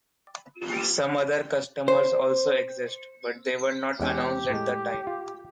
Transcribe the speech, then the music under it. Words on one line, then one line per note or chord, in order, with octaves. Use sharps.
Some other customers also exist, but they were not announced at the time.
C5
E2 G#3 C#4 G4
A2 G#3
F4